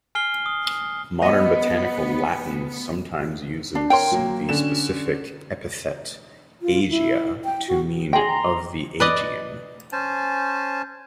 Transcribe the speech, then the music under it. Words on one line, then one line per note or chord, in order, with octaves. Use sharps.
Modern botanical Latin sometimes uses the specific epithet "aegea" to mean "of the Aegean".
G#5 F6 C7 G7
D#6
B3 D#5
D4
A#4 C#5 G5 C6
F#3 A#3
D3 C#4 E7
F4
E4
G5
F#4
G#4 G5 A#5 C6
B4 D5 D#5
C#4 C5 G#5 A5